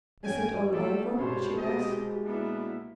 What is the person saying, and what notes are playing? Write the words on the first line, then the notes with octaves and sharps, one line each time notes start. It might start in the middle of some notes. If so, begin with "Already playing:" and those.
"Is it all over?" she asked.
G2 C#4 G5 G#5
E3 A3 A#3 F4 G4 A4
C2 G2 B2 G#3 C5 C#5 B5
C4 G4 D#5
A#3 B3 D4 E4